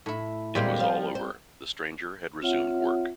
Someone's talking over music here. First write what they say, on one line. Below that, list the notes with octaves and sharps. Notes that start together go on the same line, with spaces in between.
It was all over; the stranger had resumed work.
A2 E4
E2 A#2 G3 G#3 C4 F4
F3
C5
C4 F4 C#5 E5 F#5